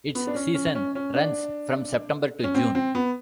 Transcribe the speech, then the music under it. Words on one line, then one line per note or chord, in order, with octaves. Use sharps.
Its season runs from September to June.
B3
D4
C#4
C#4
C#4
C#4
D4
C#4
C4
C4
B3